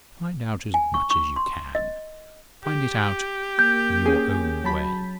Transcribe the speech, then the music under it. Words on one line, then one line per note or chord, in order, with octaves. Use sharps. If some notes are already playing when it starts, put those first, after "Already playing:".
"Find out as much as you can; find it out in your own way."
G#5
C#6
C#6
C6
D#5
G4
A#3 G6
C#4 G#4
F#3 A5 B5